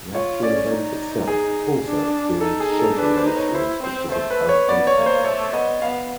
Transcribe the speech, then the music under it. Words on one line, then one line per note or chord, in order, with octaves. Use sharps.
The actual event itself also experienced scheduling issues because of Hurricane Eta.
F4 C#5
C#4 D5
D#4
G#4
D4
D#4 A4
G#4
D#4
A4
D4 B4
C5
D#4
C#5
E4 C5
C4 C5
A3 C5
B4
C#5
B3 D5
C#5
A#3
C5
A3 C#5
B3 D#5
B3 F5